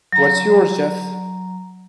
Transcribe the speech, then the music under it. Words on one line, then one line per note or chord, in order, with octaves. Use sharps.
What's yours, Jeff?
F#3 A#5